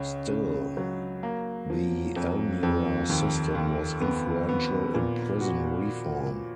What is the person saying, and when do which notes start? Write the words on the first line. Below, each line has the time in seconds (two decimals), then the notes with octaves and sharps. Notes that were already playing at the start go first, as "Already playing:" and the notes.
Still, the Elmira system was influential in prison reform.
Already playing: C#2 C#4
0.30 C#3
0.77 F#3
1.23 A#3
1.70 F3
2.16 F2
2.63 F2
3.09 D#2
3.55 D#2
4.01 B3
4.49 B3
4.94 A#2
5.41 F#4